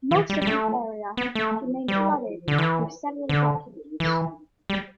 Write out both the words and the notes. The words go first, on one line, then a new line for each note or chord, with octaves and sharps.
Most of the area remained flooded for several decades.
E3
G3
G3
A3
B3
A3
G3
D3
E3
D3
E3
G3